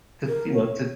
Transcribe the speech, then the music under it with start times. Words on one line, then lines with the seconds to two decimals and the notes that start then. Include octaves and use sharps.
to, you know, to
0.27 A#4
0.53 C#5